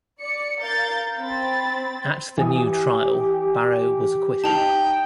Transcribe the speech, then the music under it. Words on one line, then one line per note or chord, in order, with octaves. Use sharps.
At the new trial, Barrow was acquitted.
D5 C#7
A#4 F5 G6 A6
C4 B5 A6
E3 G4 G#5 D#6
D#4 G5 A5 F7 F#7